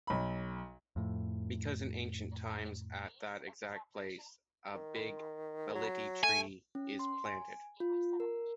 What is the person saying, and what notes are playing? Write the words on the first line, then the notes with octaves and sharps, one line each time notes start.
Because in ancient times at that exact place, a Big Baliti Tree is planted.
B1 B5
F2 A2
D#3
F#3
A3 G#5
C#4
C6
G#5
F4
A#4